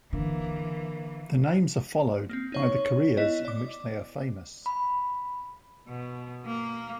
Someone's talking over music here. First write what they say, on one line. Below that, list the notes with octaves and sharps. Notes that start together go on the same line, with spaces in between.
The names are followed by the careers in which they are famous.
D3 E3 A#3
A#3 C4
D#4 C#5 C#6
B3 E4 D#5
D5 D6
B5
B2
A#3